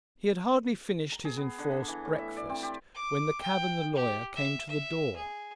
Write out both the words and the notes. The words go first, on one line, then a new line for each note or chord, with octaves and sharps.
He had hardly finished his enforced breakfast when the cab and the lawyer came to the door.
A#5
G#4
B3
D3
B5
E3
A2
E5
D5
C4
G4
D6
G5
G4
E5
E5
G#4